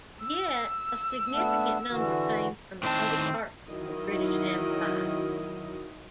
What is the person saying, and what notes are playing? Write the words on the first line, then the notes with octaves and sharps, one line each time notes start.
Yet a significant number came from other parts of the British Empire.
E6
A3 B3 D4
D3 E3 F#4
A2 D#3 C4 A5
D#3 F#3 E4 D#5